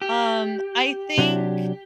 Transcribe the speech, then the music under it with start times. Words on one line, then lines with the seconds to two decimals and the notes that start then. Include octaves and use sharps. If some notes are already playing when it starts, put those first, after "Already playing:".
Um, I think
0.02 G4
1.18 C3 F#3 D4